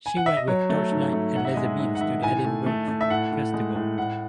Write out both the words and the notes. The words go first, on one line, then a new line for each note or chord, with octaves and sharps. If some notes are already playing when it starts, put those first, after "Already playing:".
She went with Torchlight and Laser Beams to the Edinburgh Festival.
G#5
F#5
E5
D#5
F#3 C#5
A3
G#2
A3
G#2 F#5
E5
G#3 D#5
E5
G#2 E5
F#5
D#3 E5
A2 G#5
A3
A3
A3
E5
A2 F#5
A2
G#3
A2
A2 F#5